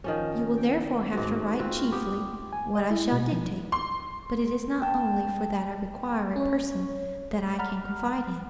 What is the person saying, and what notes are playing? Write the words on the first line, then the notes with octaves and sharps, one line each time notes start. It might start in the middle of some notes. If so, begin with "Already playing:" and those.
You will therefore have to write chiefly what I shall dictate; but it is not only for that I require a person that I can confide in.
D#3 F3 C#4
G5
G#2 F#4
C4 F4 F#4 B4
B3 G4
G#5
D#5
E4
B2
F3
C6
G5 A5
C#4 C#5
F#5 A#5 B5 F6